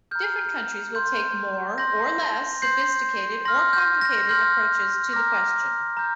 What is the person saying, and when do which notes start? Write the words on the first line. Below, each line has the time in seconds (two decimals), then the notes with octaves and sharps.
Different countries will take more or less sophisticated, or complicated approaches to the question.
0.11 A#5 F6 G6
0.95 C6 G6
1.78 C6 G6 A#6
2.62 C6 G6 C7
3.45 C6 F6 A#6
3.73 G6
4.01 A#6
4.29 C6 F6 G6
5.13 A#5 D6 F6 A#6
5.97 A#5 G6